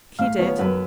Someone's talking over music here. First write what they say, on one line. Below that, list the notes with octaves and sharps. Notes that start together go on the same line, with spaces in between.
"He did."
A2 F5
F3 B3 C#5
F#2 B4